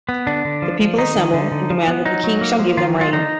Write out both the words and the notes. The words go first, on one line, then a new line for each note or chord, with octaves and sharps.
The people assemble and demand that the king shall give them rain.
B3
D3 D4
D3
F3
F3
D#3 D#4
D#3
D3
D3
F3
B3
F#3 D#4
F#3
A#3
F3
D#3 F4
F#3
F4
D3 D#4